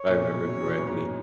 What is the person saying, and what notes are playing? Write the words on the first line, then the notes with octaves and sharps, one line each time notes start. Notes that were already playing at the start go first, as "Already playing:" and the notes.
I remember correctly.
Already playing: C#5
A#2
B2
C#3
F#3
A#2
F#2
G#2